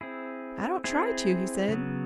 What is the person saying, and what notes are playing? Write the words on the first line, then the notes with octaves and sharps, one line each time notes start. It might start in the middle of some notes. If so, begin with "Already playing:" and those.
"I don't try to," he said.
C4 E4 G#4
C4 E4 G#4
C#3 F#3 B3